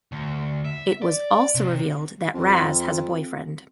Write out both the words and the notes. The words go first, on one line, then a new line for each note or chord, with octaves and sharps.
It was also revealed that Raz has a boyfriend.
D2
E5
D5
C3
F2